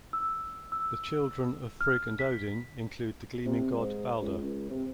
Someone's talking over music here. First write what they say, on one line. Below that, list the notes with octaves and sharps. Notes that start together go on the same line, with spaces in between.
The children of Frigg and Odin include the gleaming god Baldr.
E6
E6
F6
B6
C3
G#2
C#2
C#2
C3